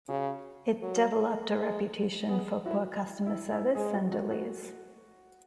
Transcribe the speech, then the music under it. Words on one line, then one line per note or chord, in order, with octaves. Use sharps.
It developed a reputation for poor customer service and delays.
C#3 F#4
F#3
G#3
B3 G#4
E4 F#4
E4
E4
G#3 G#4
F#4
F#4
F#4